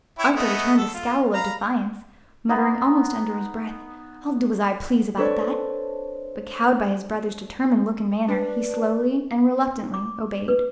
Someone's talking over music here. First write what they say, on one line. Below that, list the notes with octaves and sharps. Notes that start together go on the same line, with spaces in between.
Arthur returned a scowl of defiance, muttering almost under his breath, "I'll do as I please about that;" but cowed by his brother's determined look and manner, he slowly and reluctantly obeyed.
E4 C#5 G5
A3 B3 D#5
A4
F4
F5 A#5 B5
B3 D#4
C4 D4 A4 B4 C#5 D5
D4 B4
D6
B4